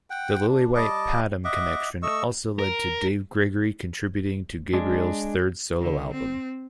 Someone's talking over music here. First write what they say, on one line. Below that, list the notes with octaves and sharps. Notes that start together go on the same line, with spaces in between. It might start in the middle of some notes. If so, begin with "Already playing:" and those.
The Lillywhite-Padgham connection also led to Dave Gregory contributing to Gabriel's third solo album.
F#5 G5
D4
G3 D#5 A5 D6
D#5 E5 F#5 D6
A3 D#5 C#6 E6
A#4
G#3 D4
D3
C4